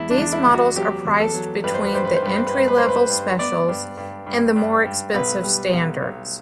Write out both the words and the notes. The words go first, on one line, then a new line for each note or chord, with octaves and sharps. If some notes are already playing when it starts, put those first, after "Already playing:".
These models are priced between the entry-level Specials and the more expensive Standards.
Already playing: E2 E4
D4
E2
E4
E2
F#4
F#3 G4
E2
A4
F#3
G2 B4
C5
B4
G2 C5
B4
C5
G2 B4
C5
G2 B4
C5
B4
G2 C5
B4
G2
B3 D5
G2
G2
G2
G2
G2
B1 B4
G3
B1
B1